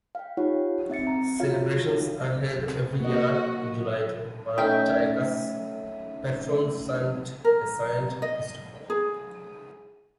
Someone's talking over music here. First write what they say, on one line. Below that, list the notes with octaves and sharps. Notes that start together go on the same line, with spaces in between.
Celebrations are held every year in July to honor Jayaque's patron saint, Saint Christopher.
F5 G5
D#4 F4 G4 C#5 F#5
C4 E5 A6 C#7
A#5
F4 F#4 C#5 E5 F5
A#3 F#4 D#5
A3 C#4 D#4 E5 G5
A#4
D#5
G#4